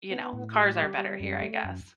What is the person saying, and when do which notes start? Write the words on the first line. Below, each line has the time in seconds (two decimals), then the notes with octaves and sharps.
you know cars are better here, I guess.
0.11 B3
0.33 A2
0.54 G4
0.77 G3
0.98 G3
1.20 F#2
1.42 A3
1.64 F#2